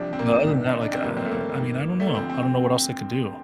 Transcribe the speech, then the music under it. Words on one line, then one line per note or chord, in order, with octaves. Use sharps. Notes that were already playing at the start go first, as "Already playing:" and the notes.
But other than that, like, uh, I mean, I don't know I don't know what else I could do,
Already playing: C2 C3 F3 D4
C4
A#3
D4
C2 C3 D#3
D#4
D4
C4
G2 D3 F3 A#3
C4
A3
A#3
G2 D#3
A3
A#3
D2 D3 F3 C4
C4
C4